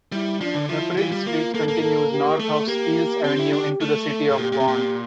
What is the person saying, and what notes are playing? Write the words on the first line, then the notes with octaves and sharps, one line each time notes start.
Dufferin Street continues north of Steeles Avenue into the city of Vaughan.
G3 E4
F3 D4
D3
F3 E4
E3 F4
G3
A#3 F4
A#3 A4
A#3
A4
G4
A3 A4
A#3 G4
C4
E4
D4
A3 A4
A2
A#2 G4
A#2
C3
A#2